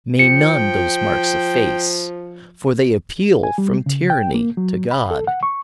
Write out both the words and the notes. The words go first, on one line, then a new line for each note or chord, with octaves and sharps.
May none those marks efface! For they appeal from tyranny to God.
F3 G5 C#7
G#5
G3
C#3
G5
A#3
F#3
B5
A4
F#5
C#6